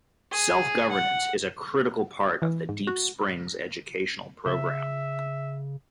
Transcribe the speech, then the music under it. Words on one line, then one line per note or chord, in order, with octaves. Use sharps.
Self-governance is a critical part of the Deep Springs educational program.
G#4
F#5
E3
G#2
F#4
C#3 E5